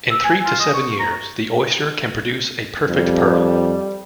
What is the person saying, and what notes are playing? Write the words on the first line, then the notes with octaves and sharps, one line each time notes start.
In three to seven years, the oyster can produce a perfect pearl.
E6
G#5
F4
D#5
C#6
A#5
F2 G3